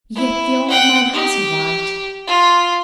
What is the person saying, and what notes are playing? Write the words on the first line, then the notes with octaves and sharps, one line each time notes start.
Yet the old man has a right.
E4
F#5 G5
G4
F4